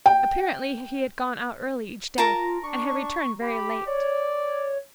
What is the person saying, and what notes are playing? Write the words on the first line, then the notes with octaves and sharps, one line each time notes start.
Apparently he had gone out early each day, and had returned very late.
G5
F4 A#4 A5 A#5
D4 C#6
G4 B5
C#5 D5